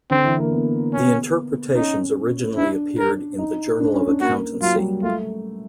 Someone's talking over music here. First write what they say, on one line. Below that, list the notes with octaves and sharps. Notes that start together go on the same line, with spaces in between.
The Interpretations originally appeared in the "Journal of Accountancy".
D3 C4
E3
A#3
B3
C#4
C#4 D#4
D4 E4
A#4
D#4
D4
C#4
D4
A#3 F#4
A#3
F#3 F4
G3
A3 F4